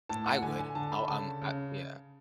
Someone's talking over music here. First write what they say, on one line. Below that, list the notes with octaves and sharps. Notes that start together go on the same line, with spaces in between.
I would. I'll, um, I yeah.
A2 A5
F#5
D3 G#5
G#5
D3 A5
B5
C#3 A5
C#3